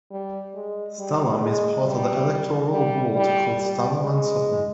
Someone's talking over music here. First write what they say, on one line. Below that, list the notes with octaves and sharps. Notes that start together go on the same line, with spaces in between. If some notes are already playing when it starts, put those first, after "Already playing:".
Stalham is part of the electoral ward called Stalham and Sutton.
G3
G#3
G3
G#3
G3
G3
G3
G3
G#3